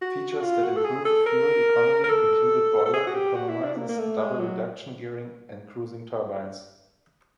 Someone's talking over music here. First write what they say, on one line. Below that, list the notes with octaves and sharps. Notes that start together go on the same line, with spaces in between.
Features that improved fuel economy included boiler economizers, double reduction gearing, and cruising turbines.
F#4
F#4
F4
F#4
A4
G#4
A4
A#4
A#4
A4
A4
G#4
F#4
G4
F#4
E4
D4
A#3
A#3
A3
G#3
F#3